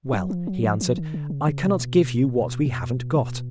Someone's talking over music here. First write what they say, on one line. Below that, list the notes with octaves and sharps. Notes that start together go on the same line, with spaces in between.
"Well," he answered, "I cannot give you what we haven't got."
F#3
F3
F#3
F3
F3
D#3
D3
C#3
C#3
B2
B2
B2